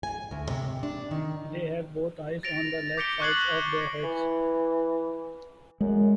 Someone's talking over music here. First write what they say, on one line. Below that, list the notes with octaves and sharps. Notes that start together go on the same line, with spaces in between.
They have both eyes on the left sides of their heads.
G#5
D2
C3
D4
D#3
A6 A#6 D7 F7
D6 G6 B6 C#7 D7 G7
C#6 D6 F#6 G#6 C7 F#7
E3
F#2 G#3